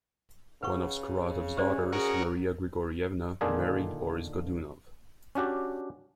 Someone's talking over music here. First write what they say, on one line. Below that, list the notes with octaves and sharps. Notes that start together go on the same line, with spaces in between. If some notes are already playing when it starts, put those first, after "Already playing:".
One of Skuratov's daughters, Maria Grigorievna, married Boris Godunov.
C#3 B4 F#5 C#6
C#4 G4 C5 D5
C#4 F#4 G#4 A#4
A#2 D3 D#3 D4 F4 G#4
C#4 D4 F#4 G4 D5